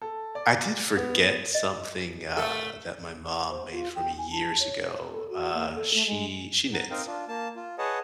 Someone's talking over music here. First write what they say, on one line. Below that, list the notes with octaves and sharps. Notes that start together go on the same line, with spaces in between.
I did forget something, uh, that my mom made for me years ago, uh, she she knits,
A4
D5
B3
D#5
A3 A4 A#4
C5
F4
G5
G#5
A5
C#5
A4
F#4
A#3
A4
A3
G#3
F#5 A#5
C4 D#4 A#4 F5 G5
D4 F4
A#3 A5
F4
G#4 B4 C#5 D#5 F#5 A5